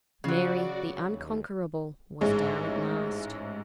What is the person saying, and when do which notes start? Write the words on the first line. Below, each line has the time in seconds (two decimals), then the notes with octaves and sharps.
Mary, the unconquerable, was down at last.
0.24 C#3 F#3 F#4 D5
1.07 D#2
2.21 A1 G#2 G#3 G#4 C#5